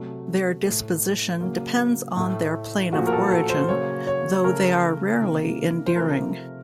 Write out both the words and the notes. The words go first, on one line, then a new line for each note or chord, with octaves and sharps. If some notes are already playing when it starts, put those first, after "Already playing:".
Their disposition depends on their plane of origin, though they are rarely endearing.
Already playing: C3 F#3 A3
A3
A2
C#3 F#3 A#3
A2 A3
A#2 F3 A3 F#4
A#4
A4
A4
C5
C#3 F#3 A#3 C#5
C#5
C#3 A3 A#4
C3 D#3 A#3
C5
C3 F3 A3 A#4